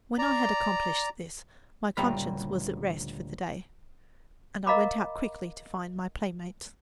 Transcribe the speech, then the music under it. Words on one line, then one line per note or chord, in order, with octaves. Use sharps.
When I had accomplished this my conscience was at rest for the day, and I went out quickly to find my playmates.
D5 A#5
D2 A#2 C#3 G3 A#5 B5
A#4 D#5 F5 A#5 B5 D6